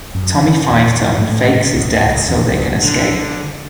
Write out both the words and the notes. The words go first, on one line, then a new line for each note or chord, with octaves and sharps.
Tommy Five-Tone fakes his death so they can escape.
F#2
E3
E2
A2
C#3
D2
C#2
E2
C#2
D3